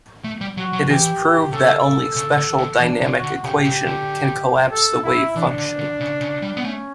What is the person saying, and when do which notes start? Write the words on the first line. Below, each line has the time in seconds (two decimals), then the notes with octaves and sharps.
It is proved that only special dynamic equation can collapse the wave function.
0.24 A3
0.41 G3
0.57 F#3 F#4
0.73 F#3
0.88 E3 G4
1.52 C#3 A4
2.16 C#3
2.37 D3
2.58 D3
2.80 E3 D4
3.01 D3
3.12 F#4
3.23 D3
3.44 C#3 G4
3.65 C#3
3.86 D3
4.72 A4
5.04 E4
5.35 E3 D4
5.58 D3
5.79 D3
6.00 C#3
6.21 C#3
6.42 G3
6.57 B3
6.63 A3 C#4